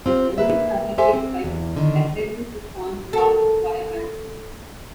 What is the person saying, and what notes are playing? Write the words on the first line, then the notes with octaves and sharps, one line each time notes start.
The lyrics are replaced by references to "SpongeBob SquarePants".
C4 F4 G4
A#3 B4 E5
G4 A4 C5 E5 G#5
C4
E2
D3 D#3
A4 A#4